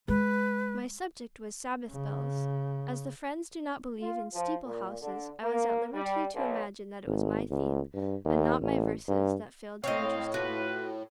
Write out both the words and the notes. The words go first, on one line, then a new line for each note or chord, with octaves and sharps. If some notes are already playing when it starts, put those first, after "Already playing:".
My subject was "Sabbath Bells." As the Friends do not believe in "steeple-houses," I was at liberty to imagine that it was my theme, and not my verses, that failed to interest him.
G#3 B4
C#3
F4
F3
A#2
D3
A#3
G3
B1
G#1
C#2
G2
D#2
A1
G2
A2 C4 C#5 D#5 F5
F4 F#4 B4